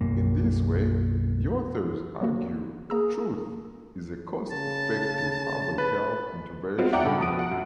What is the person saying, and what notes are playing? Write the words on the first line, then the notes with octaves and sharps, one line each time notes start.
In this way, the authors argue "truth" is a cost-effective public health intervention.
B1 F#2 A#3
F#3 A#3 F#4
A#3 G#4 A#5 E6
C#3 A5
B4
F#3 G#3 B3 C4 F4
D5 E5 F#5 G5 A#5 D6
G2 C#3 A4 B5
B2 F3 D#6 D7
F#5
F#2